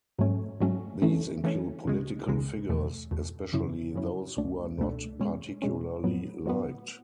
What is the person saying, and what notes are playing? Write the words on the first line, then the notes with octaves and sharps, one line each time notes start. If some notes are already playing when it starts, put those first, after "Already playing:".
These include political figures, especially those who are not particularly liked.
G#2 F#3 A3 C#4
G#2 F#3 A3 C#4
E3 A3 C#4
E3 A3 C#4
C#2 C#3 G#3
C#2 C#3 G#3
E2 B2 A3
E2 B2 A3
F#2 C#3 F#3 C#4 E4
F#2 C#3 F#3 C#4 E4
C#2 B2 A3 D4
C#2 B2 A3 D4
B2 G#3 C#4
B2 G#3 C#4
A2 F#3 B3
A2 F#3 B3